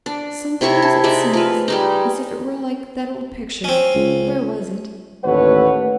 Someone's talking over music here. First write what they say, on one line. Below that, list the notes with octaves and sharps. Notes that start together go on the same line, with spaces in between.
Sometimes it seems as if it were like that old picture--where was it?
D4
C3 E4 C#5 C#6
A5
G#3 D#4 D5 E5
F3 B4
G3 G#3 D#4
C4 C#4
C#2
A1 D#2 A3 B4 C#5 F#5